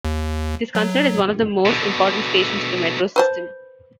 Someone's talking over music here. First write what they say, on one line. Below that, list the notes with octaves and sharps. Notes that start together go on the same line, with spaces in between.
It is considered as one of the most important stations of the Metro system.
D#2
F#3
B2 D3
B4 C5 A5